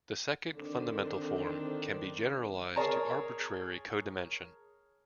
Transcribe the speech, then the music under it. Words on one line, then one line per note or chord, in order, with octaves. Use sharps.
The second fundamental form can be generalized to arbitrary codimension.
D3 D#3 C4 D4
G#4 A#4 C#5 A5 A#5